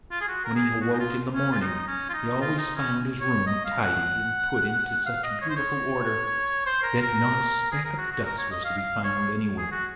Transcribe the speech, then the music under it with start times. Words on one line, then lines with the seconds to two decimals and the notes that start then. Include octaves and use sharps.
When he awoke in the morning he always found his room tidied and put into such beautiful order that not a speck of dust was to be found anywhere.
0.11 F4
0.21 G#4
0.28 F#4
0.45 A#4
0.55 G#4
0.81 F#4
0.93 D#4
1.00 F4
1.34 C#4
1.52 F4
1.61 D#4
1.87 C#4
2.09 F4
2.14 D#4
2.41 F4
2.58 D#4
2.76 C#4
3.21 C#5
3.47 D#5
3.65 F5
3.82 F#5
5.06 F5
5.23 D#5
5.41 C#5
5.50 C5
5.56 C#5
6.66 C5
6.83 A#4
7.01 A#4
7.72 G#4
7.85 A#4
7.98 F#4
8.12 F#4
8.25 A#4
8.38 C#5
8.51 D#5
8.64 F5
8.78 F5
9.04 C#5
9.58 G#4
9.71 F#4